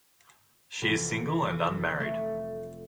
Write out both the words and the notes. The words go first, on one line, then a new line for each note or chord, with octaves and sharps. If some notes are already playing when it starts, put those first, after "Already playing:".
She is single and unmarried.
F1 E3
A3